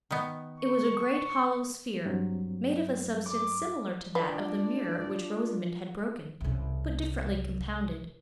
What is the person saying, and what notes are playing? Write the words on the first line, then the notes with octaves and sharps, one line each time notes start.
It was a great hollow sphere, made of a substance similar to that of the mirror which Rosamond had broken, but differently compounded.
D#3 B3
C#6
G2 F#3 C4
D6
D4 F4 B4 D5
C2 C#3